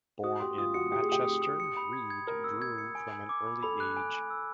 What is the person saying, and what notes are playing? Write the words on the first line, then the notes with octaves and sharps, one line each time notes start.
Born in Machester, Reid drew from an early age.
F#4 D#6
G4 C6
F4 D#6
F#4 C#7
G4 D#6
G#4
G4 D#6
D#6
D#6
C#7
B5
G#6
G#6
A#4 G#6
E6
G#6
C#7
G#5
G#5
D6
B5
A4 B5
F#6
G#5
G#5
E6